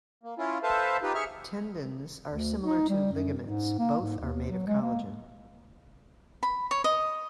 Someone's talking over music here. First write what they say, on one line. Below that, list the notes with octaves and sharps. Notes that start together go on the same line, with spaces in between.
Tendons are similar to ligaments; both are made of collagen.
A#3
C#4 E4 F4
A4 B4 C5 E5 F5 A5
D#4 F4 G4 B4
G#4 E5 C#6 F6
D2
D#4
G3
F#2
G#2
A#3
G#2
D#2
F#3
G#3
A#3
B5
C#5
D#5